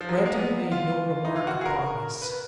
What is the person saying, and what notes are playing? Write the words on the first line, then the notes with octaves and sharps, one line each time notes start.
Breton made no remark upon this.
F3
F#3
G#3
A#3
B3
F4
D#4
F4
F#4
G#4
A#4
B4